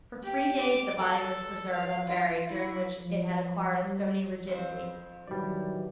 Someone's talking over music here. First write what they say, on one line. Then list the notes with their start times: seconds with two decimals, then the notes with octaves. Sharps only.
For three days the body was preserved unburied, during which it had acquired a stony rigidity.
0.23 G4
0.60 D6
0.99 A4
1.72 F5
2.07 F4
2.50 E4
2.98 F3
3.81 G3
4.47 F2 C4 C5
5.27 D#3 E3 F#3 G3 D5